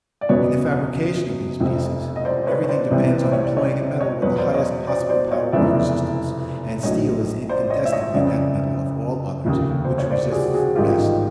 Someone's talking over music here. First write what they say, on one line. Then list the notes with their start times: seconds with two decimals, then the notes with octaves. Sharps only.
In the fabrication of these pieces, everything depends on employing a metal with the highest possible power of resistance, and steel is incontestably that metal of all others which resists the best.
0.21 D5
0.29 F#1 E2 B2 B4 C#5
1.60 F1 F2 C3
2.16 D#5
2.25 C5 D5
2.47 B4 C#5
2.64 C#5
2.69 C5 D5
2.91 C2 C3 E3 G3
3.09 B4
3.20 C5
3.32 C#5
3.44 D5
3.57 C#5 D#5
4.00 C#5 D#5
4.22 E2 B2 F#3 B4 C#5
4.38 C5 D5
4.54 C#5 D#5
4.87 C5 D5
5.09 C5 D5
5.31 C#5 D#5
5.52 F1 E2 C#3 E3 G#3 D5 E5
6.83 A#1 A2 F#3 C#5 D#5
7.49 C5 D5
7.70 C#5 D#5
7.85 E5
7.93 C#5 D#5
8.14 F#1 F2 C#3 D5 E5
9.45 F1 D#2 C#3
9.85 C5
9.98 C#5
10.11 C5 D5
10.26 G4
10.32 F#4 G#4
10.54 F#4 G#4
10.75 A1 G#2 D#3 G3 F4 G4
10.97 D#4 F4